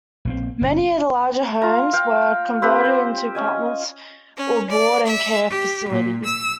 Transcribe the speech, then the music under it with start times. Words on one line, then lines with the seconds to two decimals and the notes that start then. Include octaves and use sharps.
Many of the larger homes were converted into apartments or board and care facilities.
0.25 A#1 A#3 C4
0.61 F#1 B3 C#4
1.62 F4 A#5
1.93 F5 G5
2.62 C4 G4 B4 C5
2.85 C5
3.35 C#4 D#5 G#5
4.37 C#4
4.69 D5
5.06 E5
5.50 G4
5.88 A#2
6.24 E6